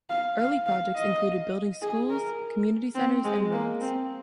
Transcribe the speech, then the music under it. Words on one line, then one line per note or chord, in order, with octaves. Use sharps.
Early projects included building schools, community centers, and roads.
F5
F5
F5
D#5
G#4
A#4
C4
G#3
A#3
C4